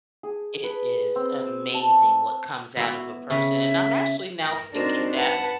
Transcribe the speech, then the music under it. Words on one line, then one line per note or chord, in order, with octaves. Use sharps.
it is amazing what comes out of a person. And I'm actually now thinking that
G#4
B4
C4
A5
B3 E4 F#4
C#3 C4 C#4 E5
A#4
C4 D4 D#4 F#4 A#4 C5
B4 F#5 A5